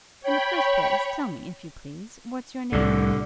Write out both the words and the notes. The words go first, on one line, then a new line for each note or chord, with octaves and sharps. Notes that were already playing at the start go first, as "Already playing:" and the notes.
'In the first place, tell me, if you please, what's your name?'
C#5 G5 B5
C2 A2 D3